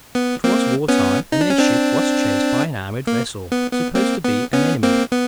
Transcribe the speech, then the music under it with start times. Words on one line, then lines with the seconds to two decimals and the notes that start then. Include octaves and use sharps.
It was war time, and their ship was chased by an armed vessel, supposed to be an enemy.
0.15 B3
0.44 A#3 C4
0.88 B3 C#4
1.32 D#4
1.41 D4
1.50 C#4
1.58 C4 D4
3.07 A#3
3.52 B3
3.73 B3
3.95 A#3 C4
4.24 B3
4.54 B3 C#4
4.83 A#3 C4
5.12 B3